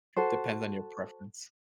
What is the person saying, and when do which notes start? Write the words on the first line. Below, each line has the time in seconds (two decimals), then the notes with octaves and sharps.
depends on your preference.
0.16 F#4 A4 C5